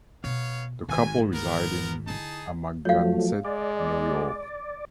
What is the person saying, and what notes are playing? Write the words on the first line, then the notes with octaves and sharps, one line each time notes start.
The couple reside in Amagansett, New York.
B2 B3 C#5 F5
G#1 G#2 D#3 D#4 G#5
B3 A#4
D3 D#4 E4 G#4 A5
F3 F#3 A3 C#5 F5
G#3 D5